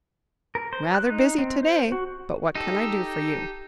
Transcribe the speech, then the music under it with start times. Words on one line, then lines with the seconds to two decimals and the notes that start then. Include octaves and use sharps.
"Rather busy to-day, but what can I do for you?"
0.55 A#4
0.73 C5
0.94 F#6
1.09 D#4
1.38 C4
1.63 C5
1.92 F#4
2.55 D#4 G4 A4